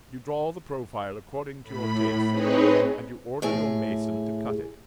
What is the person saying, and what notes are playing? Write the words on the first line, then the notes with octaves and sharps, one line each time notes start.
You draw the profile according to your taste, and you order your mason to cut it.
A2 B5
C4 D#4 G#4 B4 C#5 D#5
A2 G#4